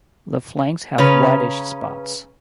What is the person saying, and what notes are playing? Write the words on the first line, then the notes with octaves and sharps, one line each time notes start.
The flanks have whitish spots.
C#3 C#4 B4 A#5